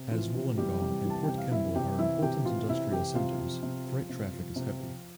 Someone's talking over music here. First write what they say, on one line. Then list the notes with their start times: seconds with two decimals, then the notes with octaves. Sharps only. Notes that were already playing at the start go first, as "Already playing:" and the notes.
As Wollongong and Port Kembla are important industrial centres, freight traffic is heavy.
Already playing: C3
0.11 E3 F3 F4
0.34 C3
0.58 E3 G3 G4
0.81 C3
1.05 E3
1.10 A5
1.24 C3 G5
1.38 F5
1.51 E3 E4 E5
1.75 C3 G4 G5
1.99 E3 E4 E5
2.22 C3 G4 G5
2.45 E3 F4 F5
2.68 C3 E4 E5
2.91 E3 G4 G5
3.15 C3 F4 F5
3.39 F3
3.63 C3
3.86 F3
4.09 C3
4.33 F3
4.56 C3
4.79 F3